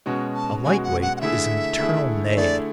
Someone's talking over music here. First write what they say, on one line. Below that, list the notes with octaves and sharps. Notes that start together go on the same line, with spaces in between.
"A light-weight is an eternal nay."
B2 G#3 C#4 F#4
A5
B2 G#3 C#4 F#4 G#5
F#5
F#5
F#5
D3 A3 E4 G#4 E5
D3 A3 E4 G#4
C#5
D3 A3 E4 G#4 D5